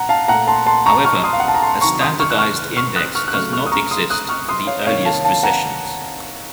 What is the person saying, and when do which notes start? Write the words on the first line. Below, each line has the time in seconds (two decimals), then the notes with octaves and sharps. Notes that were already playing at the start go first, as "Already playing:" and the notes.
However, a standardized index does not exist for the earliest recessions.
Already playing: A#2 F#5 A#5
0.09 F5 A5
0.28 A#2 A3 F#5 A#5
0.47 A5 C6
0.66 A5 C6
0.86 A#5 C#6
1.05 C#6 F6
1.24 C6 D#6
1.33 F5
1.40 F#5
1.48 A5
1.54 A#5
1.62 A5 C6
1.81 C3 D#3 F#3 A#5 C#6
2.00 C6 D#6
2.20 C#6 F6
2.31 F#6
2.38 C#6 F6
2.77 C#6 F6
2.96 D#6 F#6
3.15 C#6 F6
3.28 F#6
3.33 C#3 F#3 A3 C#6 F6
3.53 C#6 F6
3.66 D#6
3.72 A#5 C#6
3.91 C6 D#6
4.10 D#6 F#6
4.29 C#6 F6
4.48 C6 D#6
4.67 C#5 F5
4.86 C3 D#3 A#3 C#5 F5
5.05 F5 A5
5.25 F5 A5
5.43 F#5 A#5